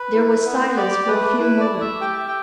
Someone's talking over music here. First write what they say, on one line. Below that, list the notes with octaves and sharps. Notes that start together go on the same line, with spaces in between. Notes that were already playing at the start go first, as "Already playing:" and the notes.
There was silence for a few moments.
Already playing: B4
E4
B3
G4 D5
A3 B4
E4 B4
D5
A3
E5
G4 G5
E5
G5